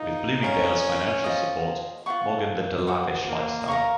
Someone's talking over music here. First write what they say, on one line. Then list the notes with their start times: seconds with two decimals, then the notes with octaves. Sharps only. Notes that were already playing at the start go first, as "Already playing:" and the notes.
With Bloomingdale's financial support, Morgan lived a lavish lifestyle.
Already playing: D#4 F4 A#4 D#5
0.42 C#4 F4 A#4 C#5
1.24 F4 C5 D#5
2.06 F4 C5 F#5 C#6
2.87 F#4 C5 F#5
3.28 A#3
3.68 A#4 F5 A#5 C#6